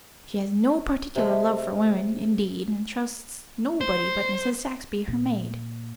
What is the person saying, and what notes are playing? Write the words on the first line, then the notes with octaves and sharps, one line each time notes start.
She has no particular love for women, indeed, and trusts nobody but Mrs. Saxby, her maid.
C3 G#3 A3
C5
A#2